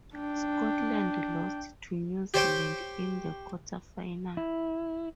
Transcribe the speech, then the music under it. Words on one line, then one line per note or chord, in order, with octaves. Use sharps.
Scotland lost to New Zealand in the quarter-final.
D4 G5
G4 C5 C#5 G5
E4